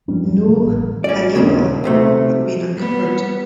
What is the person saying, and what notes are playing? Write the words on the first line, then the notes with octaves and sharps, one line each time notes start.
No "haniwa" have been uncovered.
F3 G3 B3 C#4
G2 G3
D3 D#3 F#3
A1
C#4 D5
D#2 A#2 C#3
B1 C3 A3
G3 B3